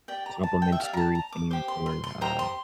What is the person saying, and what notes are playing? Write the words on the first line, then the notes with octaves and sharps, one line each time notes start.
complimentary things or, uh,
G4 D5 G5
A#5
A5
G5
E5
G4 D5 F5
A#5
A5
A#5
D6
G4 C5 D6
C6
C6
C6
G4 C5 A#5
C6